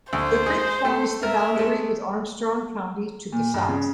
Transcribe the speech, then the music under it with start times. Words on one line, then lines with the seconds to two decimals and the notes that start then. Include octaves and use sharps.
The creek forms the boundary with Armstrong County to the south.
0.13 D2 C5
0.46 G#3 G#4
0.85 A3
1.23 A#4 E5
1.56 G#3 A3
3.32 A#2
3.54 G2
3.69 C#3